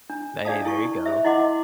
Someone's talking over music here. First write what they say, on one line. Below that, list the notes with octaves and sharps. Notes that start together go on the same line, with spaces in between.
Hey, there you go.
D4
D4 G#4 D5 F5 A5 D#6
E4 A4 C#6
G#4 C5 E5
E4 D#5 F#5 C6 D6